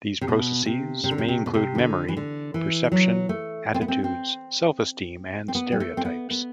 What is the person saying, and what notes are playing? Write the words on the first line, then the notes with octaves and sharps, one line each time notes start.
These processes may include memory, perception, attitudes, self-esteem, and stereotypes.
C3
B2
C3
C3
D3
C3
C3
B2
C3
E3
D3
E3
D3
E3
F#3
A3
C4
B3
C4
C4
C4
B3
G3
A3
C4
B3
B3